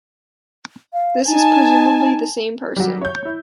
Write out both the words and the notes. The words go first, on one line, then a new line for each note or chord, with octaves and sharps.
This is presumably the same person.
F5
D#4 G#5 A5
F#3 G3
C#5 G6
E4